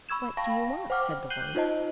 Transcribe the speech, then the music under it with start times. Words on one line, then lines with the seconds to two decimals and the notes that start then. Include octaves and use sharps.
"What do you want?" said the voice.
0.09 B5 C#6 E6 G#6 E7
0.37 F5 G5 A5 B5 C#6 A#6
0.90 C5 F#5 G5 D6 F6
1.30 F#6 G6 C7 D#7 F#7 G7
1.55 D#4 F4 C5 D#5 A5